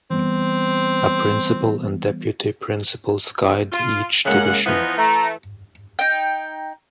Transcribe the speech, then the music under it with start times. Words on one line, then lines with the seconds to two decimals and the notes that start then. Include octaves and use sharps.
A principal and deputy principals guide each division.
0.11 E3 G3 B3 C4
3.72 F4
4.25 F#2 C#3 G#3 A#3 F#5
4.66 E3 F3 B3 D#4
4.97 A3 A#5
5.99 D#4 G5